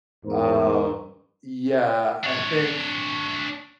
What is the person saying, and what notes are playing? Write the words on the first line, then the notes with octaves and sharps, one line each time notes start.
um, yeah, I think
E2 G#2 A#4 C5
D4 C#5